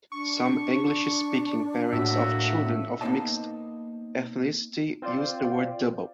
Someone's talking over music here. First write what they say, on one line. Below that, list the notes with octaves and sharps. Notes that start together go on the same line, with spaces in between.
Some English-speaking parents of children of mixed ethnicity use the word double.
D4 C#6
A2 A#3 F#4 E5
A#3 B3 D#4 C5 D#5 A5
C4 F4 C5 D5